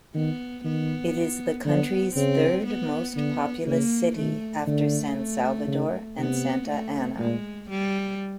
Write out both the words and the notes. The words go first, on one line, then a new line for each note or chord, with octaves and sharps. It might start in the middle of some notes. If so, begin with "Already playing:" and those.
It is the country's third most populous city after San Salvador and Santa Ana.
D#3 B3
D#3 B3
D3 B3
C#3 C4
B3
D3 B3
C#3 A#3
D#3 A3
D3 A3
C#3
C3 B3
A3
A#2 G#3
G3